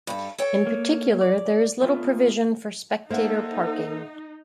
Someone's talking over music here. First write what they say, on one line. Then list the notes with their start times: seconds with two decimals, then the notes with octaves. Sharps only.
In particular, there is little provision for spectator parking.
0.07 G2 A4
0.38 A4 C#5 G5
0.67 A#3
1.21 D5
1.82 A3 B3 F4
3.10 A#3 D#4 A4 C5 E5 F#5